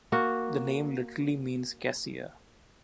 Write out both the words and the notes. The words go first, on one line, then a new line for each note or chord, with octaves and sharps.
The name literally means "cassia".
A#3 F#4